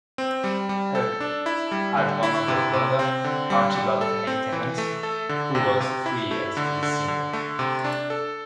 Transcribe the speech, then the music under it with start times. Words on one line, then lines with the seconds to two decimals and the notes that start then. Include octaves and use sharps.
Hugh had one older brother, Archibald Hay Tennent, who was three years his senior.
0.18 C4
0.44 G3
0.69 G3
0.95 A4
1.20 D4
1.46 E4
1.71 G3
1.97 D3
2.23 E4
2.48 C3
2.73 C3
2.99 C4
3.24 D3
3.50 G3
3.75 G3
4.01 A4
4.27 C4
4.52 E3
4.78 A3
5.03 A4
5.29 D3
5.55 C3
5.80 C3
6.06 E4
6.31 A3
6.57 D3
6.83 D3
7.08 D3
7.33 A3
7.59 C3
7.84 D4
8.10 A4